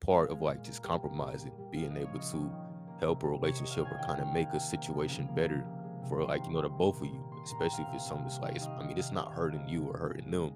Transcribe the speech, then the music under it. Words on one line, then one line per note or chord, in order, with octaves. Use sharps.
part of, like, just compromising, being able to help a relationship or kinda make a situation better for, like, you know, the both of you, especially if it's something that's like s I mean, it's not hurting you or hurting them.
G#3 F5
G#3
A#2
A#3
G3
A#3
A#2
G3
G3
F3 F5
F3 D#5
C#5
C#3
D#5
D#3
D#3
D#3
A#3
C3
G3
C3 C#5
G3 D#5
F5
D#3 G#5
D#3 G5
F5
D#3 G5
A#3
C3
A#3
F3
C#3 F5
A#3
C#3
C3
G#3
C3
G3 C6
D#3
C3
A#3
A#2
A#3
A#3 C6
A#2 A#5
G5
A#2 F5
C3
C3
G3
D#3 F5
D#3 D#5
D#3 D#5
C3 F5
C3
C3
C#3
G#3
G#3
G#3
G#3